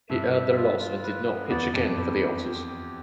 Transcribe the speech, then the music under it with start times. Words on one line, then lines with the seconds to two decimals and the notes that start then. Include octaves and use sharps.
He earned the loss and did not pitch again for the Otters.
0.10 G2 E5
0.33 E5
0.56 F4
0.79 F4
1.03 B4
1.26 B3
1.50 E2 D5
1.73 F2 G4
1.97 F2 G3
2.20 G4
2.44 G4
2.67 G4